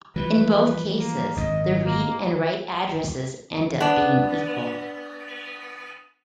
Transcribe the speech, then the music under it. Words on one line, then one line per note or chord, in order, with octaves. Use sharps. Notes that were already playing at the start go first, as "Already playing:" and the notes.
In both cases, the read and write addresses end up being equal.
E3 F3 G3 B4
A#3
G#1 F#2 D#5
A#3
B3 D4